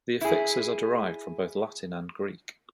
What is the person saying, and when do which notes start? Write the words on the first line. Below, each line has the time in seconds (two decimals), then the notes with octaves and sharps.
The affixes are derived from both Latin and Greek.
0.21 E4 G#4